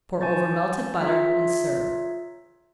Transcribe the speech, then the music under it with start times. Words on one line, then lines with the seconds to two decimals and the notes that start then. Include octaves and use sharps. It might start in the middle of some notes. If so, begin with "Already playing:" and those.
Pour over melted butter and serve.
0.21 G#5 A5 C#6 G6 A6
1.00 F4 G#4 C#5 E5 A#5